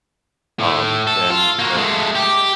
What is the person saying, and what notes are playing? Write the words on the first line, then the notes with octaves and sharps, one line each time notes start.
um, then, like
A2
A4
F4
A#3 F#4
G#3 A3
G4